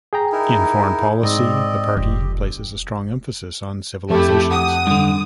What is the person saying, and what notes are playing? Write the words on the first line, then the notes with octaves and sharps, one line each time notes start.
In foreign policy, the party places a strong emphasis on civilizations.
G#4 G5 A#5
D#4 E4 A#4
G#2 C4 D5 D#5
F1 G4
F2 A3 E4 G4
F#5 D#6
G2 D3